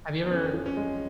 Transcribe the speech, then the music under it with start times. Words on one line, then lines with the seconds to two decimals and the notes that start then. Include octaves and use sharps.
Have you ever
0.24 B3
0.31 F2 C#4
0.53 F3
0.66 C#4
0.77 G#3